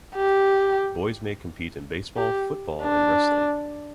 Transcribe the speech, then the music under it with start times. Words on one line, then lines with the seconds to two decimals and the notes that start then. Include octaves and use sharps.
Boys may compete in baseball, football, and wrestling.
0.16 G4
2.17 G4
2.83 D4